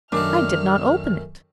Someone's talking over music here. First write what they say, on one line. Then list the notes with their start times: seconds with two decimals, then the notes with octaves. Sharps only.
I did not open it.
0.12 F#2 D#3 A3 D4 F6